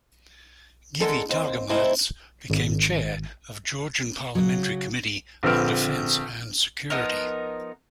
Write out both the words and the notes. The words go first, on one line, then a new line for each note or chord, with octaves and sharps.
Givi Targamadze, became Chair of Georgian Parliamentary Committee on Defense and Security.
D3 G#3 C#4 A4 A#4
D#2 C4
C3 A3 C4 D#4 E4
G#1
C#3 F#3
A#1 D3 C4 B4 F6 D7
F3 B3 D#4 A#4